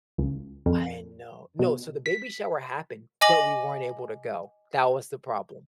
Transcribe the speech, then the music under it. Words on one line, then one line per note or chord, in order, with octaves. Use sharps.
I know No, so, the baby shower happened, but we weren't able to go, that was the problem.
C#2
F2
B2
B6
D#5 G#5 D6 A#6 F#7